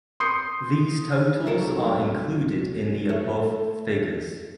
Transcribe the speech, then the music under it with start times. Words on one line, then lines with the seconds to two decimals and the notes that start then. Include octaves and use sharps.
These totals are included in the above figures.
0.20 C6 D#6 G6 C7 C#7
1.46 C2 F#3 D#4 A4 A#4
3.09 A3